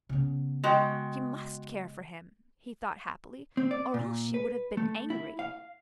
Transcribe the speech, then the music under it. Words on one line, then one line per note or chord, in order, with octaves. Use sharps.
She must care for him, he thought happily, or else she would have been angry.
C#3 B3
G#3 F#4 G5
C4
D5
A#2
B4
A3
E4
F5